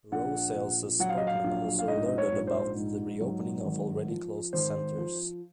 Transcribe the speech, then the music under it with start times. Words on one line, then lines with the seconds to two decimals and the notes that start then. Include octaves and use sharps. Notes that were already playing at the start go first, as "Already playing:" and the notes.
Rosales' spokesman also alerted about the reopening of already closed centers.
0.12 A#1 F#5
0.56 A#1
1.00 F#3 F#5
1.09 F5
1.18 D#5
1.27 F5
1.44 A#1
1.79 F5
1.88 G#2 D#5
2.06 D#5
2.18 C#5
2.32 A#1
2.47 C5
2.76 G#2
3.20 F#3
3.65 G#1
4.09 F3
4.53 G#1 C5
4.97 F3